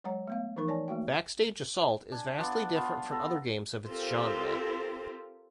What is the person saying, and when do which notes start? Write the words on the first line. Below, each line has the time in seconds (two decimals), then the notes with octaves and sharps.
"Backstage Assault" is vastly different from other games of its genre.
0.04 F#3 G#3 C#5 F#5 A#5
0.27 A3 B3 F5
0.56 E3 F3 D#4 A#4 C#6
0.68 C#5 D5 G#5 A5
0.88 A3 A#3 F#4 G5
2.12 D4 G#5
2.38 B3 D4 F4
2.75 B3 F4
3.10 B3 A4 A#5
3.88 C4 F4 G4 A4 A#4 C5